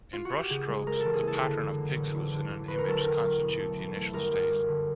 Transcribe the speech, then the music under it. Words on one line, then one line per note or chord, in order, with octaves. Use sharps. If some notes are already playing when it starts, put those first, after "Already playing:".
In Brush Strokes, the pattern of pixels in an image constitute the initial state.
F4
F#4
G4
C#3 G#4
G#3
G#3 A#4
E3 A4
G#4
A#3
A4
D3
F#2
A#3
A1
A1
D3
D3
E2 B4
A#4
F#3 A4
A#4
E2
F#3
B1
A3
E3
A3
G1 A#4
F#2
G3
D3